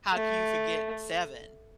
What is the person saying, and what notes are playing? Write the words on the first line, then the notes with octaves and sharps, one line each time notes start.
how can you forget Seven?
A3